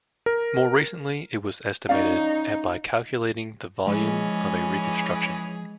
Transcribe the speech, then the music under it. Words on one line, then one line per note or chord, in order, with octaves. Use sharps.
More recently, it was estimated at by calculating the volume of a reconstruction.
A#4
C#4 D#4 D5 F5
E3 F3 G#3 C#4 G#4